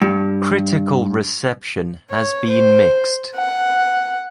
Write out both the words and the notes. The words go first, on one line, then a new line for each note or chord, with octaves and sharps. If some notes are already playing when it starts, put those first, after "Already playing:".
Critical reception has been mixed.
G2
C#5
C5
F#5